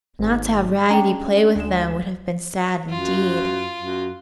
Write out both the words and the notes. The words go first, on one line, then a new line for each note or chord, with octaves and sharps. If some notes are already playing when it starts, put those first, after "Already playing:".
Not to have Raggedy play with them would have been sad, indeed.
G#1 G#2
C#4 D4 G#4 G5 A#5
D2 G#3 E7
F#2 F4
F#2